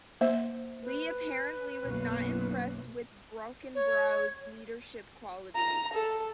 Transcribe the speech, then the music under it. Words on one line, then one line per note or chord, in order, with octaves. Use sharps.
Lee apparently was not impressed with Brockenbrough's leadership qualities.
A#3 C5 E5
B4
B1 F#2 A#2
C#5
A#5
A4